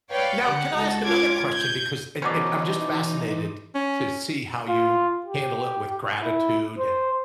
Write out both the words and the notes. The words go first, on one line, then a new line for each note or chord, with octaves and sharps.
Now, can I ask another question, because it it I'm just fascinated to see how you handle it with gratitude and
B4 C#5 D5 F5 G5
D3 G4 F#5
C#2 F#4 A4
C#4 F4 D6 G#6
G6 G#6
B2 E3 F#3 C#4 D#4 C5 D5
C#4
F4
G4
E4
C5